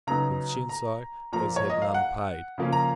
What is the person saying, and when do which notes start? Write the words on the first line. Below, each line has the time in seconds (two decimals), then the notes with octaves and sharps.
Vincenzo has had none paid.
0.07 C#3 F#3 B3 D#4 A#5
0.69 A#5
1.32 A#2 F3 A#3 A#5
1.56 C#5
1.70 D#5
1.82 F5
1.94 F#5
2.58 C#3 F3 A#3 C#4
2.73 A#5